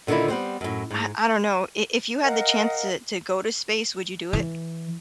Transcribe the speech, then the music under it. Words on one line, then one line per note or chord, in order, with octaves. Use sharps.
I I don't know, i if you had the chance to to go to space, would you do it?
A#2 D3 D#3 D#4 E4
G3 B3 C4 C5
F#2 A2
G#2
A#4 D#5 F5 F#5
E3